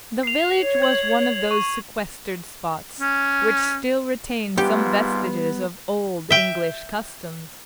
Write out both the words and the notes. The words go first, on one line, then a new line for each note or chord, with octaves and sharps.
The village was one of those sequestered spots which still retain some vestiges of old English customs.
C7 F7
C#5
G#6 F#7
C#6
C#4
G#1 G#2 G3 B3 F4 G4
E5 G5